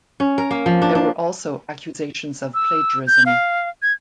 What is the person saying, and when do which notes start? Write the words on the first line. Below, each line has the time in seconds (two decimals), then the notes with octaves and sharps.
There were also accusations of plagiarism.
0.20 C#4
0.38 A#4
0.51 A#3
0.66 F3
0.82 D4
0.95 D4
2.54 E6
3.07 G6
3.26 F5
3.82 G#6